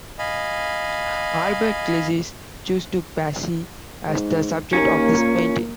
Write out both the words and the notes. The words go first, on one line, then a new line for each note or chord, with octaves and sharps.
Albert Gleizes chose to Passy as the subject of this painting.
D#5 F5 G#5 B5
G#2
D#2 A#3 C#4
A#2